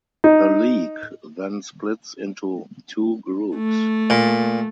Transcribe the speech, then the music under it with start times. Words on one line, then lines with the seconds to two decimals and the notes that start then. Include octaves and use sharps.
The league then splits into two groups.
0.24 D#4
3.56 A3
4.10 A#2